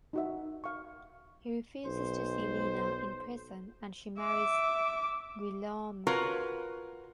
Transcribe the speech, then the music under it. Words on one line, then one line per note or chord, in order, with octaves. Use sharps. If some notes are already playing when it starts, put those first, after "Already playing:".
He refuses to see Lina in prison and she marries Guillaume.
D#4 F#4 E5
F5 C#6
B1 C5
E5 D6
F4 F#4 A#4 B4 C#5